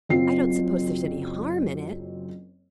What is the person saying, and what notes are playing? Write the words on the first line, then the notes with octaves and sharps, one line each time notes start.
"I don't suppose there's any harm in it."
F#1 F#2 C4 F4 C7